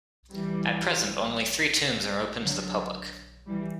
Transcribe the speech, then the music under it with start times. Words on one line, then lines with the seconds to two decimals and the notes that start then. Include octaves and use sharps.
At present, only three tombs are open to the public.
0.31 E3 G3
2.41 D3 F#3
3.47 E3 G3